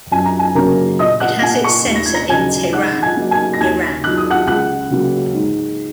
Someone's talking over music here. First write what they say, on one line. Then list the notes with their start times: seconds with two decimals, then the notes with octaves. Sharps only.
It has its centre in Tehran, Iran.
0.12 F#2 G#5
0.25 A#5
0.39 G#5
0.55 C#3 F#3 A#3 A#4 A#5
0.99 A#2 D#5 D#6
1.20 F#5 F#6
1.42 A#3 G#5 G#6
1.64 C#6 C#7
1.86 D#2 C#7
1.96 A#6
2.06 G#6
2.14 A#5 A#6
2.29 C#3 F#3 G#5 G#6
2.73 G#2 F#5 F#6
3.02 G#5 G#6
3.17 F#3 A#3
3.31 G#5 G#6
3.53 A#6
3.61 D#2 G#5 G#6
4.03 D#3 F#3 F#6
4.17 D#6
4.30 F#5 F#6
4.47 C#2 F#5 F#6
4.91 C#3 F#3 A#3
5.34 G#2